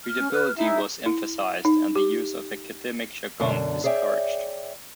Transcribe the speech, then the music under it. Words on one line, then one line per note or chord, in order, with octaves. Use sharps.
Readability was emphasized and the use of academic jargon discouraged.
F6
C#4
B4
C#4 D#4 E4 E5
E4
D#4
G4
F#2 B2 D3 D4
G#4 C#5 D5 E5 G5